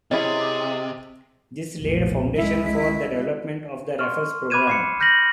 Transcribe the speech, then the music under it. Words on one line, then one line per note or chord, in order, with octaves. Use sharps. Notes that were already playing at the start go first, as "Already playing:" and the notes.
This laid the foundation for the development of the Raffles Programme.
C3 C#4 E4 G#4 D#5 A6
F1 B1 A#2
C#2 G#3 E4
C6 C#6 F6
B5 D6 F#6 G#6 D#7 E7
D6 C7 C#7
F6 G6 A#6 B6 F#7